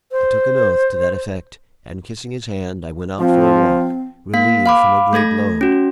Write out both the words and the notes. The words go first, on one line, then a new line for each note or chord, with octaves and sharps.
I took an oath to that effect, and kissing his hand, I went out for a walk, relieved from a great load.
C5
F3 C4
A#3 F5 B6
F5 B5 D6
A3 A4 G#6 A#6
C#4 F#4